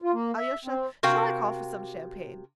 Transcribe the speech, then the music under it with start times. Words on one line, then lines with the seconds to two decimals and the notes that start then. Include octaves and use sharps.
Alyosha, shall I call for some champagne?
0.02 F4
0.13 A#3
0.37 E5
0.65 C4
1.03 C3 F#4 A#4 F5 G5